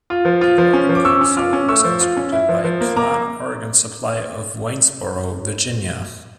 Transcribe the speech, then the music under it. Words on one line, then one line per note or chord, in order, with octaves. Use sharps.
The organ console was constructed by Klann Organ Supply of Waynesboro, Virginia.
F4
F3
F4
F3
C#4
F3
D6
C#4 C#6 E6
C#4
F4 D6 F6
C#4
A3 C#6 E6
F3
F4
C#4
E4
F3
F3
A#3
A#3 A#5 D6